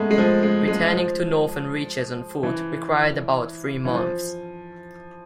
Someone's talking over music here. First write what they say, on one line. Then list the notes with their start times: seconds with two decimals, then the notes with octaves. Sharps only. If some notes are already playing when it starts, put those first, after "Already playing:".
Returning to northern reaches on foot required about three months.
Already playing: G#3 A3 B3
0.11 G#3
0.18 F3
0.43 G#3
0.68 G#3
0.93 F3
2.43 E3
3.85 E3
3.94 F3